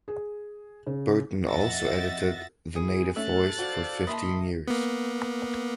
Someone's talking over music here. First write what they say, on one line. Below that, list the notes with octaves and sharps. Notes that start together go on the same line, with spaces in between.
Burton also edited "The Native Voice" for fifteen years.
G#4
C#3
F2 D#5 E5 F#5 A6 A#6
E4 G#4
A3 C#4 A4 E5 F#6 A6
F#4 C5 D5 F5
A#3 D#5 E5 A5 B5 C6
A#3 B3